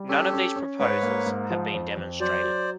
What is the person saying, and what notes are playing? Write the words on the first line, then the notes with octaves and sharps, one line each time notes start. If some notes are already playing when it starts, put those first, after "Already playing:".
None of these proposals have been demonstrated.
Already playing: G3
C#4 G4 A4
C#4
C#4
G#2 B4 C#5
A#3
G#2
F3
F2
F2
F#3 C5 D5
F#3